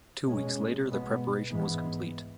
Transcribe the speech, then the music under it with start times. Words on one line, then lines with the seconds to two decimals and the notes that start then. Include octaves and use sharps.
Two weeks later the preparation was complete.
0.25 B2 G#3 C#4
0.87 B2 G#3 B3
1.49 G#2 E3 G#3 B3